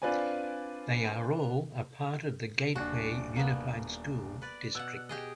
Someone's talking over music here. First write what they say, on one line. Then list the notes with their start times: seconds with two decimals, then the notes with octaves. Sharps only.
They are all a part of the Gateway Unified School District.
0.02 C4 D4 F4 B4 D5 G#5
2.75 D#1 D4 F#4
3.36 A#3 B3
4.42 B4 D5
4.75 B2 F#5 E6 F#6
5.09 G4 G#4 D#5